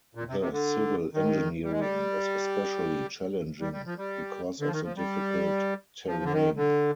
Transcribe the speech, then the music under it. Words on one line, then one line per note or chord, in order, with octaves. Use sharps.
The civil engineering was especially challenging because of the difficult terrain.
A#2
C3
C3
D3
D#3
G3
G#3
G3
G3
G3
F3
G3
D3
F3
D#3
F3
G3
F3
D3
D#3
D3